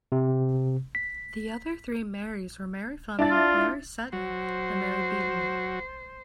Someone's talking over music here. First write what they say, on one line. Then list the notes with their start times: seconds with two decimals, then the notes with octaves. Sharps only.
The other three "Marys" were Mary Fleming, Mary Seton and Mary Beaton.
0.12 C3
0.95 B6
3.19 D4 E4 A6
3.31 F4
4.13 F#3 F#4 C5